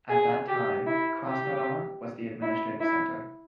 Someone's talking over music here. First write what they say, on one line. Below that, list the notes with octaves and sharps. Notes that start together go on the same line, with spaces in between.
At that time, Krasnodar was the administrative center.
G#4
G4
E4
G4
E4
E4